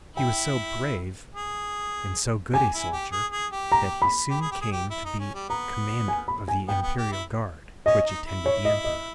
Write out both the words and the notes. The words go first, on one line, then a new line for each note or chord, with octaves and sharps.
He was so brave and so good a soldier that he soon came to be commander of the imperial guard which attended the emperor.
E4 G5
G#4
G4 G#5
E4
G4
G#4
G#4
G4
A#5
B5
G4
G#4
G4
G#4
G4
E4
D#4
C#4
G3
B3 A#5
G#5
B5
G#5
B3 G5
B3
G4
E4
C#4 D#5
D#4
E4
C#5
D#5
D#5